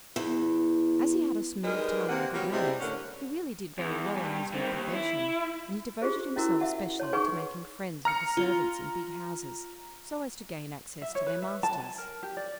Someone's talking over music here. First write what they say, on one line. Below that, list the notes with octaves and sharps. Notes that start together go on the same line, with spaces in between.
As he had a smooth tongue and good manners, he really did very well in his new profession, and he devoted himself specially to making friends with the servants in big houses, so as to gain access to their masters.
E2
G3 G#3 D#4 A#4 B4 D5
C3 A#3 F#5
F#3 G3 A#3 B3
C3 G3 G#3 D4 E4
A2 D3 C#4 A#4 F#5
E2
G2
D#3 C4
D#2
E4
F4 G4 G#4 C5
C#4 E4 F#4 A#4
E5 F#5 A5
C#5 A5 C6
D#4 G#4 B4 F#5 G#5 C#6
A#5 F6 C#7
F4
E5
C#5
B4
E5
A5
G#5
A#4
G4
D5